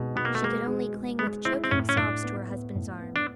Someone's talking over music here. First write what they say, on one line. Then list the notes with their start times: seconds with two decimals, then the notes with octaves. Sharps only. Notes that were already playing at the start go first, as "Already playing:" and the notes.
She could only cling with choking sobs to her husband's arm.
Already playing: B2 G#3
0.16 B2 B3
0.25 A#3
0.35 A3
0.41 G#3 A#3
0.68 G#3
0.94 G#3
1.19 G#3 B3
1.45 C4 E4
1.64 C4
1.71 A2 C#4
1.89 C#4
1.97 A2 D4
2.23 B3
2.48 B3
2.75 A2
3.00 B3
3.16 D4